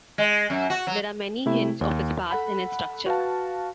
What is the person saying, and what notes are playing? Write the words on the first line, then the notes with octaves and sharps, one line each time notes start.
There are many hints of its past in its structure.
G#3
F#2
F#4
F#3
C3 A3 E4
D#2
A4 F#5 B5
F#4 B4 F5 A5